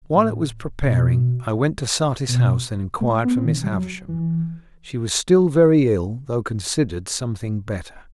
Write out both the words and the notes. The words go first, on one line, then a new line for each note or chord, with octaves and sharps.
While it was preparing, I went to Satis House and inquired for Miss Havisham; she was still very ill, though considered something better.
A2
B2
B2
A3
B3
C4
D#3
C3
G3
F#3
E3